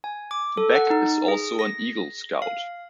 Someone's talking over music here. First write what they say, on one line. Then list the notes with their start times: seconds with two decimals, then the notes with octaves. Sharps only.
Beck is also an Eagle Scout.
0.04 G#5
0.31 D6
0.57 A4
0.75 F#5
0.90 D#4
1.28 G#4
1.59 A#6
2.42 F5